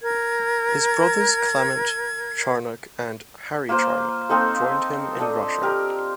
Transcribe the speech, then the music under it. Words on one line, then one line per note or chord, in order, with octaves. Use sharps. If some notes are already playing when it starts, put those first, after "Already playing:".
His brothers Clement Charnock and Harry Charnock joined him in Russia.
A#4 G#6
A#3 F4 A#4 C5
A#3 C4 D#4 A4
D4 A4 D#5
G4 A#4